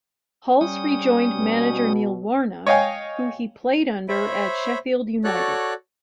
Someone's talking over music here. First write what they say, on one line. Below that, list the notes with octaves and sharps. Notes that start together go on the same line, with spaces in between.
Hulse rejoined manager Neil Warnock who he played under at Sheffield United.
G3 C#4 D#6
B2
C#5 D#5 F5 G5 G#5
C5 C#5 E5 B5
F#4 A4 C#5 D5 F#6